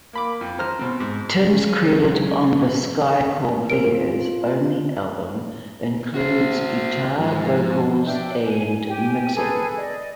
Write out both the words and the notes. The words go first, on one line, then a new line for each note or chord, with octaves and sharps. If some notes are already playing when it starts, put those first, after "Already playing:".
Tim's credit on The Sky Corvair's only album includes, guitar, vocals, and mixing.
A#3 B5 D6
F2
C5 A#5 F6
B2 C4
G#2
C#3 F#3 G#3 C#4
C4 C#4 F4 A#4 D7
F#4 C5
G#2 F3
D4 E5 G5 G6
G#5
G4 G#5
G#4 A4 B4 G#5
D5 D#5